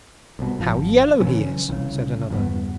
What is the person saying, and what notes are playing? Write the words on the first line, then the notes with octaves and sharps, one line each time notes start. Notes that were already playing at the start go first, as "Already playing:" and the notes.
'How yellow he is!' said another.
C2 B2
G#1 F3
C#3 E3 F#3 C#4
C2 C#3
E2 G2 B3